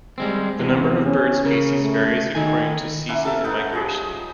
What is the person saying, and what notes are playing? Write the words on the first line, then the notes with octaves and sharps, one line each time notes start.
The number of bird species varies according to season and migration.
G3 G#3 C4
E2 C3
C#4
C#3 A#4
A3
D#3 D#4 G#5
A#3 C#4 E4 F#5
A4 A#4 E5 F5
D#4 A4 B4 F#5
F3 G3 G#4 C#5